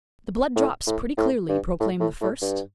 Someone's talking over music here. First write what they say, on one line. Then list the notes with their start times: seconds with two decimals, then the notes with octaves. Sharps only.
The blood drops pretty clearly, proclaimed the first.
0.56 A2
0.87 A2
1.18 A2
1.49 G2
1.80 A2
2.00 A2
2.21 A2
2.41 G2